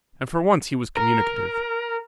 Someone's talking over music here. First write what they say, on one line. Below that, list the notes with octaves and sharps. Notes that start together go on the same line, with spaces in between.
And for once he was communicative.
A#4